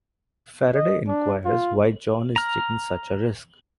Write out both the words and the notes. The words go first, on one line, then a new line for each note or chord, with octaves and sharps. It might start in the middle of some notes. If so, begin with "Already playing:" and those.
Faraday inquires why John is taking such a risk.
D#5
D4
F4
A#5 F6